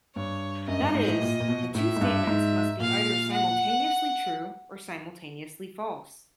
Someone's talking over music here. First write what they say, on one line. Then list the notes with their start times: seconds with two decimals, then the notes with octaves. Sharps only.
That is, the two statements must be either simultaneously true or simultaneously false.
0.16 G2 C#5
0.68 F#2 D#5
0.81 G2
0.95 G#2
1.08 A2
1.22 A#2
1.40 A#2
1.48 B2
1.75 A2 E5
1.96 G#2
2.01 G2
2.27 G#2
2.80 A#2 F5
3.33 F#5